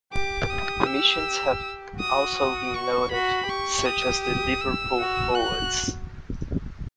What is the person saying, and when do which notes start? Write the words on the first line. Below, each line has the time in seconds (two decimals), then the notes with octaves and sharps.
Omissions have also been noted, such as the Liverpool poets.
0.13 G4 D6
0.50 G4 D#6
0.87 E6
2.00 F#4 D#6
2.37 D#6
2.75 C#6
3.12 F#4 B5
3.49 G4 C#6
3.86 D#6
4.24 D#6
4.61 E6
4.99 F#4
5.35 F#4 F#6